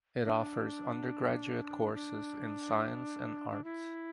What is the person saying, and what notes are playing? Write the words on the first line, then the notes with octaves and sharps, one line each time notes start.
It offers undergraduate courses in science and arts.
D4
D4
D4
E4